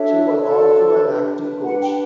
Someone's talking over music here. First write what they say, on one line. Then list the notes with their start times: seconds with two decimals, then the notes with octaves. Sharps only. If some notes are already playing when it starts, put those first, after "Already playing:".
She was also an acting coach.
Already playing: D4 F#4 A4 C#5 E5
0.38 D4 F#4 A4 C#5
1.02 D4 G4 B4
1.66 D4 G4 B4 F#5
1.82 G5